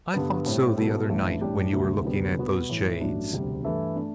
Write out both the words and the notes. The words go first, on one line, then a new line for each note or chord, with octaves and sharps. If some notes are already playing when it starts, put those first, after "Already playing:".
I thought so the other night when you were looking at those jades.
G2 D3 G3 B3
A2 G3 C4
B2 G3 B3 E4 A4
A1 G2 E3 A3
A2 G3 D4 G4
D2 C3 F#3 A3
D2 C3 G3 B3
B2 G3 B3 F#4
A2 E3 A3
A1 G2 F#3 A3 D4
E1 D2 C3 G3
G2 E3 A3 E4 A4
A3 D4